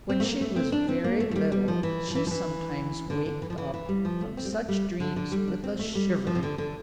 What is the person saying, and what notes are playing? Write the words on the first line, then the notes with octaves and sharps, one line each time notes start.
When she was very little she sometimes waked up from such dreams with a shiver.
C4
A3
A#3
A3
C4
D4
C4
A#3
A3
A3
G3
G3
F3
E3
F3
E3
F3
E3
D3
D3
E3
F3
E3
E3
G3
F3
A3
C4
G3
A3
G3
D3
D3
G3
D4
C4
A3
G3
F3
C3
D3
D3